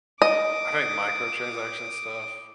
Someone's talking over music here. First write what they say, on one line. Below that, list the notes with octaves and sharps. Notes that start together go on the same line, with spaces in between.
I think microtransaction stuff
D#5 D6 D#6